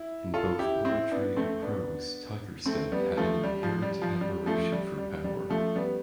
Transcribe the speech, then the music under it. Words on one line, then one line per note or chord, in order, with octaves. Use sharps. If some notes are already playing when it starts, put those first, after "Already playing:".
In both poetry and prose Tigerstedt had an inherent admiration for power.
Already playing: E4
F4 A4
E4 G4
C4 E4
B3 D4
A3 C4
B3 D4
A3 C4
G3 B3
F3 A3
G3
F3
G3
F3
G3
F3 A3
G3
G3
G3
F3 A3
G3 B3